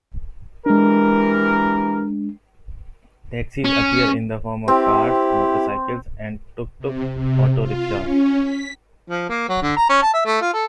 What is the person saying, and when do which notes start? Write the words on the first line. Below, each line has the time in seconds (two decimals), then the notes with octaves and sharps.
Taxis appear in the form of cars, motorcycles, and "tuk-tuk" auto rickshaws.
0.66 E3 G#3 D4 G4 A#4
3.65 C#4
4.68 C4 E4 G4
6.79 C3
7.15 C3
7.59 F4
7.95 C#4
8.42 B6
9.08 F3
9.30 A#3
9.49 F#3
9.62 D3
9.77 A#5
9.89 C#4
10.02 A5
10.14 E5
10.25 A3
10.42 F4
10.54 A4